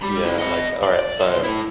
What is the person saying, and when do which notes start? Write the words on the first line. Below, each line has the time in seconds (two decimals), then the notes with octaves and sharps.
Yeah, like alright, so I
0.02 G4 B5
0.24 C3 E4
0.39 D#5 B5
0.83 D5
1.19 B1 C6
1.44 E4 A4